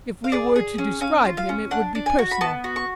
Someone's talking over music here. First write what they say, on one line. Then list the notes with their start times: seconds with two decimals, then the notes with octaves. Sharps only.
If we were to describe him it would be personal.
0.24 F5
0.32 G#4 D5
0.56 G#4
0.78 C#4
1.01 C#4 F5
1.25 F4
1.37 F5
1.49 C#4
1.71 D4 F#5
1.95 D4
2.06 G#5
2.19 F#4
2.31 B5
2.41 B3 A5
2.64 F#4
2.76 C#6